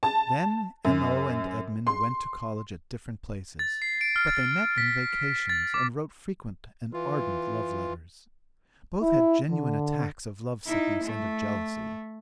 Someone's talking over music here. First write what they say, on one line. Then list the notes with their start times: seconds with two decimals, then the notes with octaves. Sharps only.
Then M.O. and Edmund went to college at different places, but they met in vacations and wrote frequent and ardent love-letters. Both had genuine attacks of love-sickness and of jealousy.
0.03 A5
0.85 F#2
1.87 C6
3.59 A6
3.82 C7
4.01 D7
4.16 F6
4.27 A6
4.78 B6
5.49 A6
5.74 D6
6.93 E3 F4
9.02 E4
9.50 D3
10.65 D#4 E4
11.03 A3